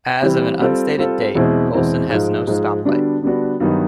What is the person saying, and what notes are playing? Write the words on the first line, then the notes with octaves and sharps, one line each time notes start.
As of an unstated date, Gholson has no stoplight.
E3 G3 C4 E4 G4
G3 C4 F4 A4
G3 C4 F4 A4
E2 B2 G#3 C4 E4
E2 B2 G#3 C4 E4
G#2 F3 G#3
G#2 F3 G#3
D3 G3 B3 D4 F#4
D3 G3 B3 D4 F#4
G2 D#3 F#3 B3 D#4